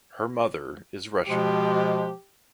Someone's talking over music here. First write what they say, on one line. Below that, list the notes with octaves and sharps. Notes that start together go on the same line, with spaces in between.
Her mother is Russian.
B2 F3 G#3 G4